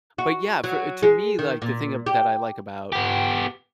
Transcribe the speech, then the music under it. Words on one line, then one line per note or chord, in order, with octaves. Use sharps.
but, yeah, for to me, like, the thing ab that I like about,
F#4
F#3
G#3
D#3
A#2
G4
B3 G4